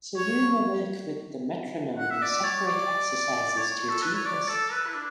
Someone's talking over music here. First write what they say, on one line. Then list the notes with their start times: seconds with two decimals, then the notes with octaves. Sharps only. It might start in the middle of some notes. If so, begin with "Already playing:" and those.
So you may work with the metronome in separate exercises to achieve this.
0.17 C#5
1.98 F#5
2.10 E5
2.22 D5
2.44 C#5
2.67 D5
3.50 D5
3.58 C#5
3.89 A4
4.02 B4
4.14 C#5
4.26 D5
4.48 A4
4.72 B4
4.87 E4
4.95 D4